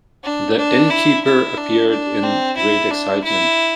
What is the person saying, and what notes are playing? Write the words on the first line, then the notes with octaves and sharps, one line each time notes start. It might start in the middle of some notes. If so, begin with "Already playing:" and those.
The innkeeper appeared in great excitement.
D4
D4
E4
E4
D4
D4
C4
E4
D4
E4